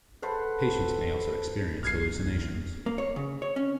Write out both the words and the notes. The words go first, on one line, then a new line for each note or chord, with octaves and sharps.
Patients may also experience hallucinations.
A4 B4 C5 F#5
B1 F6 G#6 C7
E2
A#3
C#5
C#3
C#5
C#4